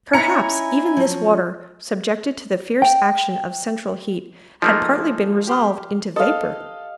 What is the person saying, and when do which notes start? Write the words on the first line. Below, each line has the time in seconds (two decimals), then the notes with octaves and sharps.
Perhaps even this water, subjected to the fierce action of central heat, had partly been resolved into vapour.
0.13 C#4 D#4 E4 G#5 A#5 C#7
0.97 F3 F#3 C#4
2.82 G5
4.62 F3 A3 A#3 D#4 F4 G#4
5.47 G4 C6 F6
6.16 A4 D#5 F5